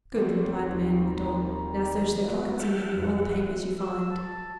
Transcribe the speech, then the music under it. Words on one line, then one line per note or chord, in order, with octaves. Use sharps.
"Good!" replied the man at the door; "now search their pockets and give me all the papers you find."
F3 G3 C4 F#4
D#2
A#5
F#3 G#3 A3 B3 E4 F#4
E5 F#5 G5 A5 F6
F2 E4 F#5
E6
A5